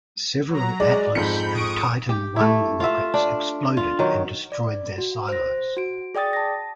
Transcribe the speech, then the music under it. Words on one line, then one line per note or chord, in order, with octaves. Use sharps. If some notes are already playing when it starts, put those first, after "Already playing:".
Several Atlas and Titan I rockets exploded and destroyed their silos.
F#3 A#5
G#3 D5
F2 G#2 B5 G6 C#7
C#6 D#6 D7
G4
A3 E4
F4 E5
D4
F4
D#3 F#3
D5
F#4
C5 A#6
F#4 D7
G#4 D5 G5 D#6 A6
A5 A#6